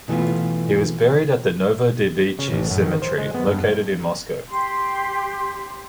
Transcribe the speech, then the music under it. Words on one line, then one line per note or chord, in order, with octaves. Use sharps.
He was buried at the Novodevichy Cemetery located in Moscow.
B2 E3 A3 B3 F4
C#3
A1
F#2
D#3
C5
G#3
B3
G2
G4 C6